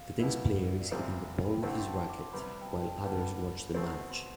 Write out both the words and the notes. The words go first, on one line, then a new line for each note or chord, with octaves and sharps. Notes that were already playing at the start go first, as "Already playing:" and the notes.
The tennis player is hitting the ball with his racquet, while others watch the match.
Already playing: F5
B2 G3 B3 E4
D5
E5
D5
D2 C3 G3 C4 F4 C5
B5
B5
G5
D3 A3 C4 E4 A5
G5
C6
A5
C6
D6
C6
C3 G3 B3 B5
G5
A5
G5
A5
D3 G3 B3 A5
B5
B2 A3 C4
C6